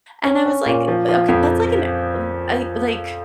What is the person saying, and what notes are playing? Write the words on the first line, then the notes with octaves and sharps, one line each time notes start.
And I was like, "Eh, okay, that's like an, um, I like,
C#4
C#4
A#2
F3
F3
F2